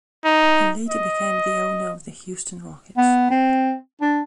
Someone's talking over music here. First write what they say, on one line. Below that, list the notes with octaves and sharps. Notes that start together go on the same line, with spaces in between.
He later became the owner of the Houston Rockets.
D#4
D#5
B3
C4
D4